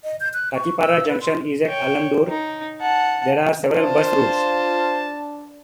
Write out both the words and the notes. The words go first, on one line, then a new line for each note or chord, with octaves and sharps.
Kathipara Junction is at Alandur; there are several bus routes.
D#5
G6
F#6
C#6
E6
B4
C6
C#5 G5
D#4
F#5 A5
D4 F4 C5 A5